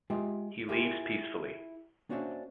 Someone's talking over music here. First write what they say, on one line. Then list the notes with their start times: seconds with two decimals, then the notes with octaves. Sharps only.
He leaves peacefully.
0.10 G#3 F4 G4 G#4 E5
0.68 E4 F4 G4 G#4 A#4 E5
2.09 A#3 C#4 D4 F#4 C5 E5